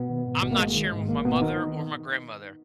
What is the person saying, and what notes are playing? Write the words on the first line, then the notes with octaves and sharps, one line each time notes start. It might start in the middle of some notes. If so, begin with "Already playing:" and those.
I'm not sharing with my mother or my grandmother.
Already playing: B2 B3
D#3
G#2
G#1 B2 B3
A#3
G#1 G#3
D#3
G#2
G#1 A#3
G#1 B2 B3
D#3 D#4